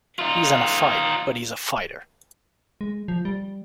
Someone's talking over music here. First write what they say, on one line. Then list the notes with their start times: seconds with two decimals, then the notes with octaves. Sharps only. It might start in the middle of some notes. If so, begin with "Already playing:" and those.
He's in a fight, but he's a fighter.
0.19 D#4 F4
2.81 G#3
3.08 F3
3.25 G3